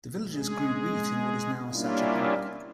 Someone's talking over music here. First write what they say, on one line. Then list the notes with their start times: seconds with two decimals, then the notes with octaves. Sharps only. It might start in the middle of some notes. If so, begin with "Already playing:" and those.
The villagers grew wheat in what is now Sacher Park.
0.35 G#3 G#4
1.73 G3 A#3 C#4 D4 E4 F4